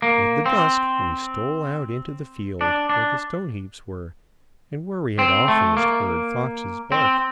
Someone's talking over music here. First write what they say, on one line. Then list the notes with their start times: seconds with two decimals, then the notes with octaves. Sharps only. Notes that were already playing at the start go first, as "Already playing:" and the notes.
With the dusk we stole out into the field where the stone-heaps were, and where we had oftenest heard foxes bark.
0.02 A#3
0.46 C4
2.61 D4
2.90 D4
5.19 C4
5.48 A3
5.77 A#3
6.92 C4